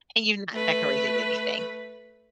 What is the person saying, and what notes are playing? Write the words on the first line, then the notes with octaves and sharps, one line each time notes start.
and you've not decorated anything.
A3 B4